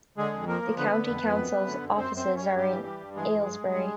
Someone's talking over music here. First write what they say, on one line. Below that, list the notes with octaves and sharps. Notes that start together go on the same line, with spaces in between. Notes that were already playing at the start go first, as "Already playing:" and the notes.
The county council's offices are in Aylesbury.
D3 G#3 G#4
F2
F3 A#3 A#4
F3
D3 B3 B4
D3
F2
F2
F#2
F#2
D3
F#2
F#2 C4 C5
F#2
C4 C5
F#2
G3 C#4 C#5
G2 G3 G4
E3
G3
G2
E3 G#3 G#4
G2
G2
G2
G3